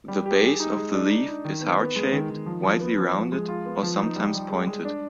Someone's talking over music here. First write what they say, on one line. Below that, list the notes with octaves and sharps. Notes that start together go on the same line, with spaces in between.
The base of the leaf is heart shaped, widely rounded or sometimes pointed.
G3
G4
G#4
D#4
G#3
D4
D#4
D#4
D#3
B3
B3
G#3
D#3
D#3
F3
F3
B3
F3
F3
G#3
F4
B3
F3
D#4
G3
G3
G#3
G#3
D4